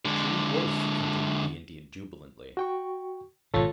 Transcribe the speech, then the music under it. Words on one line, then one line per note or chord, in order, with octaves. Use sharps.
"T'ree wolf!" continued the Indian jubilantly.
D3 G#3
F#4 G5 C#6
G#1 B2 F4 A4 C#5